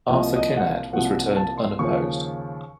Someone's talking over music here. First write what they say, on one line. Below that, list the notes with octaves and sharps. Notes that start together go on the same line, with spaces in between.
Arthur Kinnaird was returned unopposed.
C2 A#2 F3 D#5
D#5
F#5
F5
C2 A#2 F3 F#5
F#5
A5
C6
D#2 C#3 F3 C#6